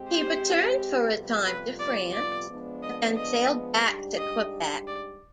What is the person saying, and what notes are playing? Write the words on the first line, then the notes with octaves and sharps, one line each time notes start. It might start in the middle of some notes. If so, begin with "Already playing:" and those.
He returned for a time to France, but then sailed back to Quebec.
Already playing: G#3 C4 G4
C5
F2 C3 G3 B3 F4
B4
D5
D5
F3 G#3 B3 D4
D#5
D#5
G#2 G3 D4 G4
D#5
D5